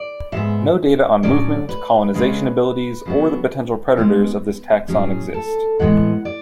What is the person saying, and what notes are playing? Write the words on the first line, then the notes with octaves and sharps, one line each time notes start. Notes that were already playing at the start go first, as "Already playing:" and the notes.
No data on movement, colonization abilities, or the potential predators of this taxon exist.
Already playing: D5
G#2 G#3 B3 E5
A2 F#3 C#4 D5
B4
C#3 G#3 C#4 B4
C#3 F#3 B3
B2 G#3 B3
A2 F#3 C#4 G#4
A4
A2 E3 G#3 B3 F#5
D5